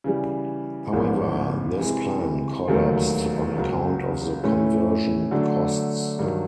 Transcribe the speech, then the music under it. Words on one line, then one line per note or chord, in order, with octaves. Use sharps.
However, this plan collapsed on account of the conversion costs.
C#3 E3 G3
A1 G#2 F3 G#3 B3
C3 E3 G#3
E1 D#2 D#3 F#3 A3
C#2 C#3 F#3 A#3
A2 E3 A3 C#4
D3 F#3 A3 D4
G2 D#3 F#3